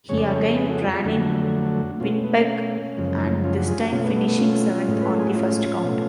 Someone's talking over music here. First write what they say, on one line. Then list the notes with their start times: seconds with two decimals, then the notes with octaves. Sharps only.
He again ran in Winnipeg, and this time finishing seventh on the first count.
0.09 F2 C#3 G#3 C#5
0.17 D5
0.26 A4 C#5
0.56 G#4 B4
0.69 F#4 A4
0.80 F4 G#4
0.92 F4 G#4
1.05 F2 D3 F#3 A3 D4 F#4
2.00 B2 A3 C#4 F4
2.12 C#4
2.24 B3
2.37 C#4
2.97 F#2 C#3 F3 G#3
3.44 C#4 F4
3.56 D4 F#4
3.68 F4 G#4
3.80 D4 F#4
3.92 B2 A3 C#4 F4
4.04 B3 D4
4.16 B3 D4
4.28 B3 D4
4.39 C#4 F4
4.88 A2 G#3
5.02 B4
5.10 A4
5.19 G#4
5.27 F#4
5.35 C#4 F4
5.84 B2 A3